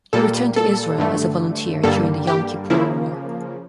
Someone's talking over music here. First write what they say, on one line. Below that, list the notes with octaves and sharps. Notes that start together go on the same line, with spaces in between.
He returned to Israel as a volunteer during the Yom Kippur War.
A#2 G3 A#3 A4
A4
G2 D3 A3
G2 D3 G3 A#3 A4
G4
C#3 F3 A#3 E4